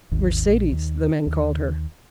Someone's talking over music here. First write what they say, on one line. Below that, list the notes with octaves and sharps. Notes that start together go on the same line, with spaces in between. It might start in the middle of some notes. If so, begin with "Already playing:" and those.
"Mercedes" the men called her.
G#1 D#2
A#1
D#2
D#2